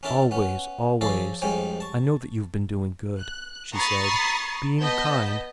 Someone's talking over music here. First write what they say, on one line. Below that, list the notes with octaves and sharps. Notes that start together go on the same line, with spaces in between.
'Always, always I know that you've been doing good,' she said, 'being kind.
C#4 D4 E4 A4 A#4
B3 C#4
F3 G#4 A4 C#5 D5
F2 G#2 G3 C#4 G5 G#5
A5 C#6
F#6
A#5 B5 C#6 D#6 A6 C7
B3 D#5 A5 G6 B6